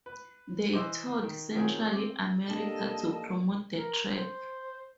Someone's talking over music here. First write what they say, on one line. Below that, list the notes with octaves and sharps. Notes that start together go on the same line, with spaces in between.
They toured Central America to promote the track.
B4
E3 C5 D#5 D6
D#3
D#3 F3 F#3 C4 C#4 G#4
C4 D6
A#3 D4 G4 A4 D#5 A5
A#4
C5